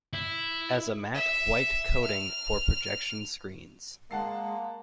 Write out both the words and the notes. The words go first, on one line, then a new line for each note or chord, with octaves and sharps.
As a matte white coating for projection screens.
E4
E5
F6
G#3 A#3 F#5 A5 C7